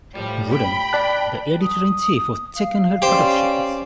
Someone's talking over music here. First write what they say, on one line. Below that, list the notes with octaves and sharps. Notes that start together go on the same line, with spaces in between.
Wooden, the Editor in Chief of Chickenhead Productions.
A2 F3 G3
G5 B5
D5 A5 F#6
D#6
F5
C#4 G4 C5 D5